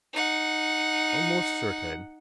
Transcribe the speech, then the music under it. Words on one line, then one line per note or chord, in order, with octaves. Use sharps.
Almost certain.
D#4 F#5